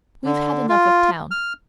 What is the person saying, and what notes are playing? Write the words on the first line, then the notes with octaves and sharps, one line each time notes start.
We've had enough of town.
D3
F4
F6